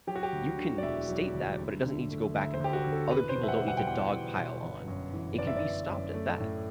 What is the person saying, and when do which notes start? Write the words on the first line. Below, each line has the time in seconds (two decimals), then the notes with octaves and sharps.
You can state that, but it doesn't need to go back and forth, other people don't need to dog pile on, it can be stopped at that.
0.07 F#3 G4
0.16 F#4
0.23 G4
0.33 D2
0.58 D3
0.78 D5
0.83 E1 E5
1.09 F#3
1.35 D2
1.59 D2
1.84 D3
2.10 A3
2.34 D2 E5
2.54 C5
2.60 D2 G4
2.73 F#4
2.85 D3
2.92 A4
3.11 E2 B4
3.29 C5
3.36 B2
3.43 E5
3.48 F#5
3.62 G3
3.68 F#5
3.77 G5
3.87 E2 F#5
4.12 E2
4.37 B2
4.63 G1
4.88 F#2
5.13 E3
5.38 G1 D5
5.47 E5
5.56 D5
5.64 G1
5.88 F#2
6.14 A3
6.40 A2